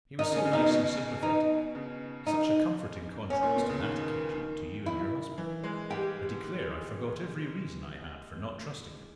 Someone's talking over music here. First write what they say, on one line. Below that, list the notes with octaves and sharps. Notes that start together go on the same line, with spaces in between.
He was so nice and sympathetic--such a comforting contrast, on that occasion, to you and your husband--I declare I forgot every reason I had for not trusting him.
D#3 D#4
C#3
C#4
C#3
B2 D#4
B2
D#4
C#3
D#4
C#4
A#2
B2
C#3
D#3
D#3
E4
E3
G#3
G3 G4